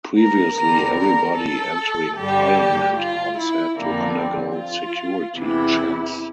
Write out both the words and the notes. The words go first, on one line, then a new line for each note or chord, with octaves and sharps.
Previously, everybody entering Parliament House had to undergo security checks.
A#4
E2 D3 G3 A#4
A#4
A4
G2 D3 G3 G4
F4
E4
F2 D3 G3 A#3
C4
F4
E2 C3 E3 E4